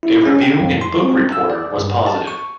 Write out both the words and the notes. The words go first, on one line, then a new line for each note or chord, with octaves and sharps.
A review in "book reporter" was positive.
E4
C#4
G5
F2
C6
C4
E6
D5
G2
A5
C#6